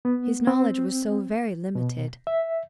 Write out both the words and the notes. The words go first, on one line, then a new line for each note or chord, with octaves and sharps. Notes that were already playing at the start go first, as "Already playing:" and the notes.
His knowledge was so very limited.
B3
C4
B2
E5